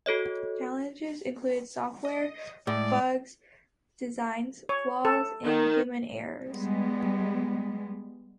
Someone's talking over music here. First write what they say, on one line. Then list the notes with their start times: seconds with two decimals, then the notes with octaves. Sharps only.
Challenges include software bugs, design flaws, and human errors.
0.06 F#4 A4 C#5 D#5
2.05 D#5
2.67 A2 G#3 D5
4.69 C#5
5.05 A4
5.44 D#3
6.49 G3 G#3 B3